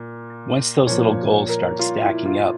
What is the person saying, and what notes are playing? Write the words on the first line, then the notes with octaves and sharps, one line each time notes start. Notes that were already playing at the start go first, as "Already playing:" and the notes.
once those little goals start stacking up,
Already playing: A#2
A#2 F3 C#5
A#4
F4
E4
F4